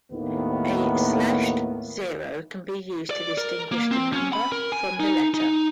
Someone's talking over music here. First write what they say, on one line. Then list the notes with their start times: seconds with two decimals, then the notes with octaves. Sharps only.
A slashed zero can be used to distinguish the number from the letter.
0.12 D#2 A2 D#3 A#3 B3
3.11 D5
3.38 A#4
3.72 A#3
3.91 C4
4.13 C#4
4.33 B5
4.52 A#4
4.72 G#5
5.00 D#4
5.34 D#4